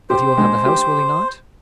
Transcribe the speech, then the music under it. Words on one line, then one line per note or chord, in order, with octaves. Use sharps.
"But he will have the house, will he not?"
G4 C5
G#3
G4